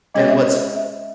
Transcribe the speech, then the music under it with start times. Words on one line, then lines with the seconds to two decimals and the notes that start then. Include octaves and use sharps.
And what's f
0.14 G#3 C#4 G#4 C#5 D#5
0.28 E5
0.40 D#5
0.75 E5